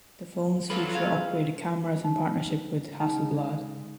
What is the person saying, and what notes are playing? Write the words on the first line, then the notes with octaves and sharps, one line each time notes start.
The phones feature upgraded cameras in partnership with Hasselblad.
F2 F3 F#3 F4 A4 B4
G#4 F5
D#4
C#3 G#3 D#4